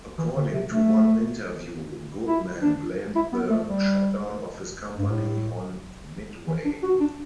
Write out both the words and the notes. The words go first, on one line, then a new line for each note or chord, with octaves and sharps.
According to one interview, Goodman blamed the shutdown of his company on Midway.
E3
D3
C3
A3
E4
D4
E4
B3
A3
G3
G2
A2
E3
D4
F#4
D4